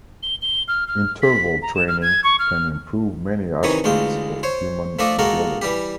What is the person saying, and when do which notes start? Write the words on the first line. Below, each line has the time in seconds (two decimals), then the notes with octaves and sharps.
Interval training can improve many aspects of human physiology.
0.23 G7
0.42 G7
0.68 F6
0.88 F6
1.22 B6
1.62 A#5
1.75 E7
1.88 F6
2.02 G#6
2.24 C#6
2.39 F6
3.63 C3 D#3 E3 C#5 D#6
3.84 A1 D2 G#3 F4 G5
4.43 C5 C#5
4.99 F3 A3 D4 A4 D5 D#5
5.19 G#3 A#3 F#4 A4 A#4
5.62 E3 G3 G4